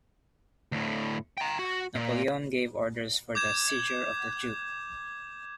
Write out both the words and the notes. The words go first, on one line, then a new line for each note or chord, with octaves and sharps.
Napoleon gave orders for the seizure of the duke.
D2 A2
G5 A#5
F#4
A#2
D6 G6 G#6 E7